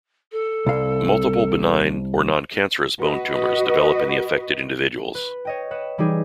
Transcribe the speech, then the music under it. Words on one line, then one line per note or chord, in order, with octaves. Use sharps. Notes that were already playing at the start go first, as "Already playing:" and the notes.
Multiple benign or noncancerous bone tumors develop in the affected individuals.
A4
C2 F5
F#4 B4 D#5
B4
C#5 D#5 G5
B4 F#5 D#6 E7
E3 G3 D#4 G4 G#4